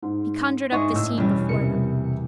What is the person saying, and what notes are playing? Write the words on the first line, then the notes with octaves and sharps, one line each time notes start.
He conjured up the scene before them.
G#2
G#2 D4 D#5 E5 G#5 C#6
A2 E6
E2 B2 G3 C#4
C3 E3 A#3 C#7